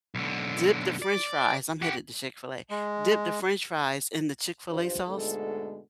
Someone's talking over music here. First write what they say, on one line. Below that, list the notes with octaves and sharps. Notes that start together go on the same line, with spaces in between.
dip the french fries I'm headed to Chick-fil-A. Dip the french fries in the Chick-fil-A sauce,
B1 D3
D5
G4 F#5
G#3
G2 F4 C5
G#2 B2 D3 G#3 A3 A4